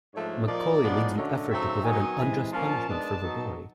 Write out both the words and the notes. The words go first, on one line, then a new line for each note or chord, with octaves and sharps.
McCoy leads the effort to prevent an unjust punishment for the boy.
G#2 F3 A3 D4 C#5
A#2 F3 A#3 D#4 D5
A2 F3 G#3 B3 D#4
F#2 D3 F#3 A3 D4 D#5
C#3 F#3 A3 C4 D#4 E5
D#3 F#3 B3 D#4 G#5
C3 E3 G#3
A#2 F3 A#3 C#4 A5
D#3 G#3 B3 D4
D#3 F#3 B3 D#4